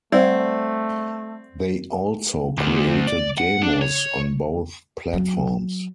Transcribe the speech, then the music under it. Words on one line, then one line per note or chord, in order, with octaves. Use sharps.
They also created demos on both platforms.
G3 A3 C4 D5 F#5
D2
D5
F#5
D4
C#5
F#3